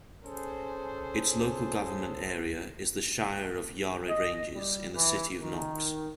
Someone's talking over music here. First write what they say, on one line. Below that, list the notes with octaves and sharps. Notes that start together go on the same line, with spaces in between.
Its local government area is the Shire of Yarra Ranges and City of Knox.
C#4 G#4 A4 C5
D#5
G3
E3
D#3